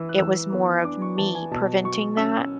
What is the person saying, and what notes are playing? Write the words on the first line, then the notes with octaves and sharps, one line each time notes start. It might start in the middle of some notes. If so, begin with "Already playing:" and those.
it was more of me preventing that
Already playing: E3 E6
F#6
E3 E6
B3
D4 D6
C#6
E3 A5
G#5
B2 A5
F#3 C#6
C#4 E6